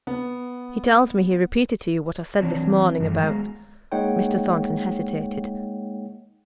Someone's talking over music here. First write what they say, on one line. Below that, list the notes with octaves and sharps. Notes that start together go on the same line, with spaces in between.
'He tells me, he repeated to you, what I said this morning about--' Mr. Thornton hesitated.
B3
E3 F#3 C4 D4 C#5 D5
G2 D#3 E3 F#3 A3
F#3 G#3 B3 F5 A#5
G#3 A#3 D#4 C#5 F#5 G5